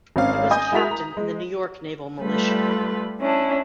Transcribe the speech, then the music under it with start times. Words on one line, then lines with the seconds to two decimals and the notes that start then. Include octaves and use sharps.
He was a Captain in the New York Naval Militia.
0.16 G#1 C4 C#4 F5
0.50 D#5 G#5 D#6 G6
0.72 G#3 E4 F#4 A#4 B6 F7
0.91 A#5
1.17 G#3
2.21 G3 A3 F4 B4
3.19 C#4 D4 E4